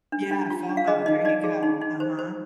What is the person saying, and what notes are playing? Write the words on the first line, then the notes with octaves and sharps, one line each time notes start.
Yeah, FOMO, there you go, uh-huh.
D4
D4
F4
D4
F5
G#4 D#5
D#4 D#5
D#4 D5
G#4
D#4
D#4
C5
C5